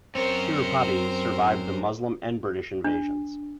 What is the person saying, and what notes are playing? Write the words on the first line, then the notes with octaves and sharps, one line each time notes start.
Tirupati survived the Muslim and British invasions.
F#2 C4 A#4 C5 C#5
D4